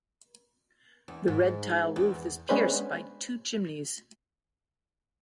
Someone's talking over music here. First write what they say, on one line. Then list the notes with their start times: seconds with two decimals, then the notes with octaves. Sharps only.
The red tile roof is pierced by two chimneys.
1.08 E2
1.28 G#2
1.96 E2
2.49 G#3 B3 C#4 D4 B4 C5